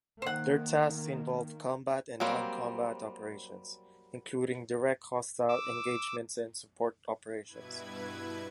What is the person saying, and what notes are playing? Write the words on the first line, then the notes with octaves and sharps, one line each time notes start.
Their tasks involve combat and non-combat operations, including direct hostile engagements and support operations.
D#3 A#3 C5 F#5
F#3 G3 A#3 C4
D6 E6
G2 B2 E4 B4 G#6